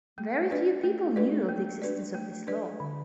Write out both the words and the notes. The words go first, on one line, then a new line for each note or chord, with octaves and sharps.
Very few people knew of the existence of this law.
A3
D4 B4 D5
A3
D4 B4 D5
A3
D4 B4 D5
A3
D4 B4 D5
D3